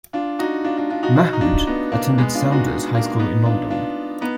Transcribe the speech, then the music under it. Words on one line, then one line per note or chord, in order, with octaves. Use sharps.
Mahood attended Saunders High School in London.
D4 F4
D#4 F#4
D4 F4
D4 F4
D4 F4
D#4 F#4
D#4 F#4
D#4
D4 F4
B3 D#4
A#3 D4
G#3 B3
D4 F4
D#4 F#4
A#3 D4
B3 D#4
D4 F4
D4 F4
B3 D#4